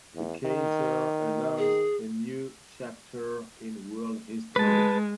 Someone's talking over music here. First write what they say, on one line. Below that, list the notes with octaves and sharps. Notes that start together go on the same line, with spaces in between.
The Kaiser announced a new chapter in world history.
E2
D#3
G#4
G#3 B4 A5